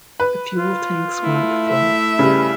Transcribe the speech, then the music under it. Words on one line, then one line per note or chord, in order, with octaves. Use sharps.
The fuel tanks weren't full.
B4
F4
A3 E4
E5
C#3 G3 B4